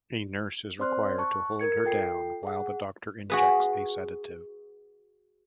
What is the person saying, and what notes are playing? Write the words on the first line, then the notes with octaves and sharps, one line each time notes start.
A nurse is required to hold her down while the doctor injects a sedative.
C4 C5 D5 C6 F6 F#6
A5 C#6 F#6
A#4 G#6 C#7
F4 A4 G5 C7
G#4 F#5
F#4 G#4 B4